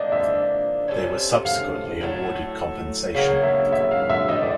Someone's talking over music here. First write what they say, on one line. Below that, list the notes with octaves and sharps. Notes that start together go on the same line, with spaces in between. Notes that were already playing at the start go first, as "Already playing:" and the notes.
They were subsequently awarded compensation.
Already playing: F3 A#3 D4 D#5
E5
C3 F3 A3 C#4
F5
A2 F#3 A3
C#3 F#3 A#3 F5
E5
E5
F5
E5
E3 A3 C4 D#5
D5